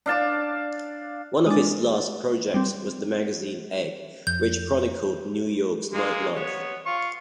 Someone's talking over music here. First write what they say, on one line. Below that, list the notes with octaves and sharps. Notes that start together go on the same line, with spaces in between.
One of his last projects was the magazine "Egg", which chronicled New York's nightlife.
D4 F5 A5 D6
G#3 D4
G3 C4
F2 G6
G#3 A#3 F4
B3 C#5
F4 C#6